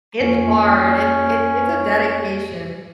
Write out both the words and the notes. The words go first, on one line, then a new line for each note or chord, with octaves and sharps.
It's hard, it it it's a dedication.
F2 A#3 C#4 F4